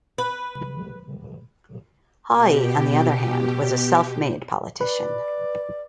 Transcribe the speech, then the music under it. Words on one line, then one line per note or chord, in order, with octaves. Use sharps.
Haughey on the other hand was a self-made politician.
B4
B2 G4
B4 D5